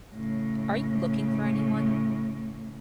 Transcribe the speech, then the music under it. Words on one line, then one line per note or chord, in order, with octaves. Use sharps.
Are you looking for any one?
A2 C#3